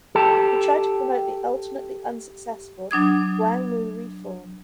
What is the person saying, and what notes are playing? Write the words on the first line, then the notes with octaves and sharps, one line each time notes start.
He tried to promote the ultimately unsuccessful Gwangmu Reform.
G4 A4
F#3 D4 D#6 G#6